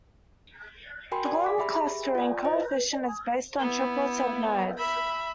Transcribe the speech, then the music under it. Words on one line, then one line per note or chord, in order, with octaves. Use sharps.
The global clustering coefficient is based on triplets of nodes.
F#4 A#4 G5 G#5 B5 C6
D5 G#5
D6 B6
G4 G#4 E5 B5
F4 D5
F4 C5 D#5
B3 E4
E5 B5